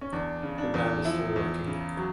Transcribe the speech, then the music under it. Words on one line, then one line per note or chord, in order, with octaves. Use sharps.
The band is still working.
C#4
E2 D4
C#3
D4
E2
F3 E4
E2
C#3
F#3